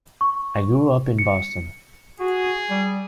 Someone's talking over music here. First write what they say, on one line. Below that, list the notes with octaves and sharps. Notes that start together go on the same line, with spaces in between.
I grew up in Boston.
C#6
C#7
F#4 G#4
G3